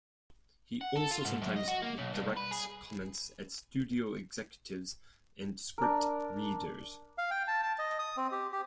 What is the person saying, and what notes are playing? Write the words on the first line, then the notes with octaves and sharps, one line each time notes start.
He also sometimes directs comments at studio executives and script readers.
F#5
A4
F4
G#2
F#2
D#5
F#4
A#3
B1
G2
B4
G#4
D4 A#4
F5
G5
A5
A5
D#5
D#6
C4
G4
G4